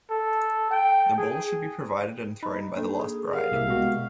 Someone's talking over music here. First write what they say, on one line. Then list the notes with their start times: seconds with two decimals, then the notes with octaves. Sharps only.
The ball should be provided and thrown by the last bride.
0.11 A4
0.71 G5
1.18 G#4
2.43 D#4 B5
2.75 A#3 D4 A4
3.00 G#4
3.33 G4 A#4 F5 F#5
3.52 C2 A#3 E5
3.68 B2 G#3 F#4